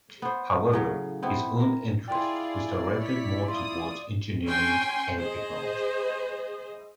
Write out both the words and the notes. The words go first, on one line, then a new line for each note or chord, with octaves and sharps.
However, his own interest was directed more towards engineering and technology.
B3 C5
A2 C#3 F#3 F5
B3 C4 E4
A#4
E4 F4 G#4 D5 G5 C6
C#5 B6
F4 C6 D#6
C#4 G5 G#5 C6
G#4 C5 D#5